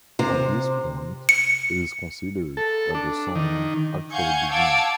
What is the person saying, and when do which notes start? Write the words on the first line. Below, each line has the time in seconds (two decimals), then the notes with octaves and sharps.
At this point, it is considered that the song actually begins.
0.19 C3 C5
1.29 C#7
2.57 A4
2.95 D4
3.35 D#3
4.12 F5 F#5 G#5 C#6 G6 G#6
4.49 F5 F#5 A5 D6 E6 G#6